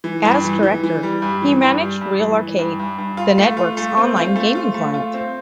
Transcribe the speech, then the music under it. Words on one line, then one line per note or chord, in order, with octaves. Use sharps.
As director, he managed RealArcade, the network's online gaming client.
E3
G2
E3
E3
E3
G3
G2
E3
G2
G3
G2
E3
E3
G2
G2
G2
F4
A3
F4
A3
C4
F4
A3
F4
A3
F4
C4